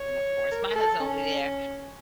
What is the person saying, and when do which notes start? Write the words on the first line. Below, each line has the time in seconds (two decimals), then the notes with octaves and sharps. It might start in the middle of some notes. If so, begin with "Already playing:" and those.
and of course, my husband will be there,
Already playing: C#5
0.51 A#4
0.76 A4
1.00 C#4